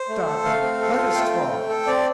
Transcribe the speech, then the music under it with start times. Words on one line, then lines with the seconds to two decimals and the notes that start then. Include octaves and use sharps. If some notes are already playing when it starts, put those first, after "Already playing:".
"Stop, and let us talk."
Already playing: C5
0.09 A3
0.26 A4
0.44 A3 F5
0.62 C4
0.81 A4
0.98 F4
1.15 A3 G5
1.34 C4
1.51 A3
1.69 A4
1.87 C4 D5